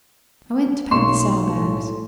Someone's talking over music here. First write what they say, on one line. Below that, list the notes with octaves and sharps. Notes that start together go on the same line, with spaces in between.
'I went to pack the saddle-bags.
B1 A#3 C6 C#6 E7
A2